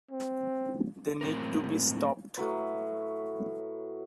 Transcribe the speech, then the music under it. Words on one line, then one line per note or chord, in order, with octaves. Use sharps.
They need to be stopped.
C4
A2 F#3 C4 A#4
A2 F#3 B4